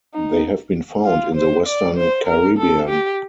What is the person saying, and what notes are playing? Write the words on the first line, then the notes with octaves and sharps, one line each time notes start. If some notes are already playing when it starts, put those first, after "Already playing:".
They have been found in the western Caribbean.
D#4
F4
C5
D5
C5
A#4
A4
G4